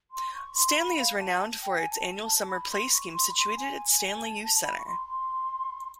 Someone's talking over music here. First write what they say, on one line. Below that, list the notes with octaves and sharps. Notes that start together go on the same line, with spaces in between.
Stanley is renowned for its annual summer playscheme situated at Stanley Youth Centre.
C6
C#6
C6
B5
F5
A5
G5
G#5
A5
B5
C6
C#6
C6
B5
C6
G#5
A5
B5
C#6
C6
C6